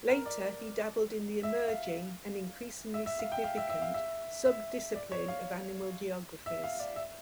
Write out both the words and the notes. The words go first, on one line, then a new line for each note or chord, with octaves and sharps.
Later, he dabbled in the emerging, and increasingly significant, sub-discipline of animal geographies.
A#4
D5
E5
F5
E5
E5
F5
G5
F5
E5
E5
F5
E5
E5
D5
C#5
F5
E5
F5
D5
E5